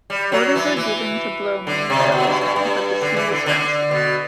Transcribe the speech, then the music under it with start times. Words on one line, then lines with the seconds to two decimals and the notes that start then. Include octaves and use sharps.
Orders were given to blow main ballast, but the sea was faster.
0.10 G3
0.32 F#3
0.55 E3
0.77 E3
1.67 D3
1.90 C3
2.06 A2
2.12 B2
2.27 G2
2.41 G2
2.56 G2
3.01 D3
3.16 E3
3.32 D3
3.46 D3
3.91 B2